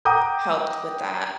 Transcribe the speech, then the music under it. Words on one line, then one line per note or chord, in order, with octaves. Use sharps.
helped with that.
F#5 G5 A#5 D6 D#6 G6